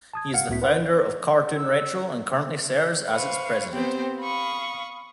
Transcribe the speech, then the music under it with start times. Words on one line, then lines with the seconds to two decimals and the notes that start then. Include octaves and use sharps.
He is the founder of CartoonRetro and currently serves as its president.
0.13 A5 D#6 G#6
0.34 F5 F#5 C#7
0.49 C#2 A2 B3 F#4 E5 B6
0.62 B4 C5 F#5
1.56 E6
3.08 B4 C5 F5 C#6
3.72 B3 C4 G4 C5 G5
4.19 F5 B5 C#6 D#6